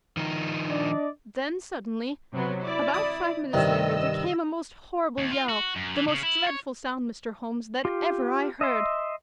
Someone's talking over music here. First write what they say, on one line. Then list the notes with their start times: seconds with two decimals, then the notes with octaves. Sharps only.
Then suddenly, about five minutes later, there came a most horrible yell--the most dreadful sound, Mr. Holmes, that ever I heard.
0.17 D#3 F3 D#4
0.68 D4 D5 D#5
2.32 C3 F#3 B3
2.62 E4 D5
2.94 D#6
3.53 G2 C3 D#3 D#5 E6
5.18 D#2
5.31 F4
5.49 F#4
5.76 F#2
5.96 E3
6.08 C#3
6.23 E4
6.47 C#5
7.85 F4 G4
8.61 D#5 E5 C6